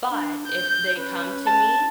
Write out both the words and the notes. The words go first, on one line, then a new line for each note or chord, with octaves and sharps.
But if they come to me
D4
G6
C#4 B4
A5